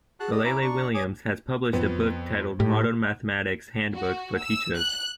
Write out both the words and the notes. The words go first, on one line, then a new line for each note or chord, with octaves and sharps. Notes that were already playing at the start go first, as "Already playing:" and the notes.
Alele-Williams has published a book titled "Modern Mathematics Handbook for Teachers".
F#4 G#4 A5 F#6
D5 D#5 D#6
C#4 E4 A#5 D6
D4 C#6
C#5 G#5 D6 D#6
F2 B3
A2 G4
F#4
E6
F#6